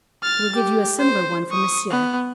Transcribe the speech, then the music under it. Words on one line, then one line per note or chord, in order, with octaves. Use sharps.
"He will give you a similar one for Monsieur."
F6 A6
G4
C5
C#6 D#6
B3